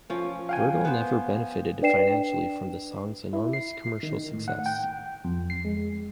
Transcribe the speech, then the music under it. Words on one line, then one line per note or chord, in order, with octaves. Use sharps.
Verdal never benefited financially from the song's enormous commercial success.
F3 C#4
F5 G5 G#5
B3 C5
D4 B4 D5 G5 C7 E7
E4
C7
D#3
A2
F#5
G5
F2
C7
G#3